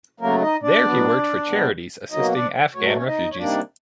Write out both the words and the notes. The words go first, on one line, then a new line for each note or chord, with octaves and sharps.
There he worked for charities assisting Afghan refugees.
C#3 F#3 A3 A#3 A#4
D#4 D#5
D4 D5
B2 F#3 B3
B2 G3 B3
B2 F#3 A#3 D#4 D#5
D4 D5
B2 F#3 A3 C#5
D5
C#4 C#5
D#4 D#5
C#5
C3 D#3 G3 A#3 D4 D5